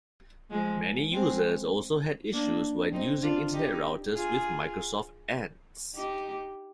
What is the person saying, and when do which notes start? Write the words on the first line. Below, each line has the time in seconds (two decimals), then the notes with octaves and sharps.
Many users also had issues when using internet routers with Microsoft Ants.
0.50 F3 G#3
1.11 G#3 C4
2.32 A#3 D4
2.92 C4 D#4
3.22 D4 F4
3.52 D#4 G4
4.13 F4 G#4
5.95 D#4 G4